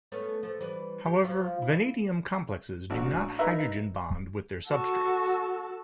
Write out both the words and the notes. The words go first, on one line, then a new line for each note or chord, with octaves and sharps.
However, vanadium complexes do not hydrogen bond with their substrates.
A3 B3 C#4
F3 A3
E3 G3 B4
G4
F3 F4
E4
A1 D4 F#4
D#4 A#4 B4 E5 A#5
F#4 A4